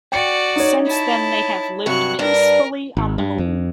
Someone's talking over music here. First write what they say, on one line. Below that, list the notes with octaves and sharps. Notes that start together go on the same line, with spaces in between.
Since then they have lived peacefully on the Moon.
F#4 D5 G5 C#7
D#4 C#5
E4 A5
G2 C3 F#3 C#6 F#6
G2 D4 A#4
G#1
G2
F2